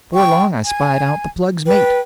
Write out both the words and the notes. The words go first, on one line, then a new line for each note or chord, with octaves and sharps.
Before long I spied out the plug's mate.
G5 C#6
G#5
B4 G5